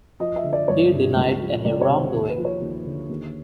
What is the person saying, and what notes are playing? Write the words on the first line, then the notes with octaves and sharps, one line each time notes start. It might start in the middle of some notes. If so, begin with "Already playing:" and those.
He denied any wrongdoing.
F3 D#5
E5
D3
D5
G1 C#5
G2
C#2
F3
C#2 D5
C#5
C3
C5
D#2
B4
F3
C#5
D#2
D3
D#2